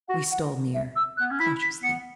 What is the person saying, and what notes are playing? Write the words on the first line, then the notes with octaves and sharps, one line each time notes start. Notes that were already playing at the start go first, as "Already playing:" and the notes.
We stole near, cautiously.
F#4 F#5
F#5
E5
E6
F#6
B3
C#4
E4 B6
B6
B3 C#7